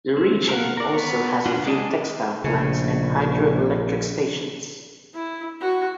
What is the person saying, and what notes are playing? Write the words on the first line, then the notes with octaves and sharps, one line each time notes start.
The region also has a few textile plants and hydroelectric stations.
C4
A4 A#4 C5 F5 F#5
A#4 D5
B3 C#5
D4 F4 F#4
G#3 G#4 D5 D#5 A5
A#1 C#3
E4
F#4